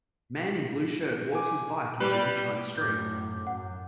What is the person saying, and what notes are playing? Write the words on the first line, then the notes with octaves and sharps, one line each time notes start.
Man in blue shirt walks his bike in busy China street.
G#5 D6
G3 B4
F#2 A2 D6 G6
F#2 F#5